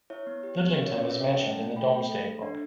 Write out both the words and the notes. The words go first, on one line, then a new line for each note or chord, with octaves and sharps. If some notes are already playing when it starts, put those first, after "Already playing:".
Lidlington is mentioned in the Domesday Book.
E4 C#5 E5
B3
G4
B3
F#4 C#5 E5
C#5 E5
C#4
B4 D5
A4 C#5 E5
E5 G5
C#4
F#5 A5
E4
A3
A4 G5 B5
A3
A4
A4
D4